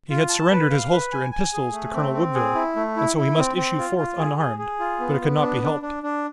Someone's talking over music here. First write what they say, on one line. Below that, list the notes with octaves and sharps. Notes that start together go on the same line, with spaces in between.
He had surrendered his holster and pistols to Colonel Woodville, and so he must issue forth unarmed, but it could not be helped.
F4
A5
B4
F5
B4
G#5
G#5
G#4
A3
C4
C4
G#4
E4
A3
E4
E4
C4
C4
F4
F4
G#4
G#4
G#4
F4
B3
B3
D4
D4
D4
D4